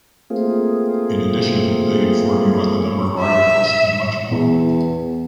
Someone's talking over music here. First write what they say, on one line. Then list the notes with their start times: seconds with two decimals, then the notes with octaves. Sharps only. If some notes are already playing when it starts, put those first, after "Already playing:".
In addition, they inform you on the number of articles and much more!
0.30 A3 A#3 C4 F4 G#4
3.20 E5
4.31 E2